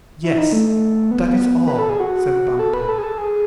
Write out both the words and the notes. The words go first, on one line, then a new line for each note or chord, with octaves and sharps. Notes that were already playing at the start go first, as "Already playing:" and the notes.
"Yes, that is all," said Bumpo.
E4
D#4
A3
B3
B3
B4
A4
G#4
F#4
A4
B4
A4
G#4
A4
G#4